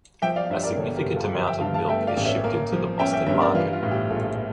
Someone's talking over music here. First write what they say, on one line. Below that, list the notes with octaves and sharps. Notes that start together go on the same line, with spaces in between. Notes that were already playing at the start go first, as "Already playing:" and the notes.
A significant amount of milk is shipped into the Boston market.
F3 E5 G5
D5 F5
G2 C#5 E5
A#4 D5
G1 A4 C#5
G4 A#4
G1
F4 A4
F3 G4 A#4
E5 G5
G2 F5 A5
F5 A5
A3 E5 G5
D5 F5
A1
C#5 E5
A#3
F3
C#4 E5 G5
E5 G5
G2 C#5 E5
A#4 D5
E3 F4
F4
A2
G4
A#1 F4 A4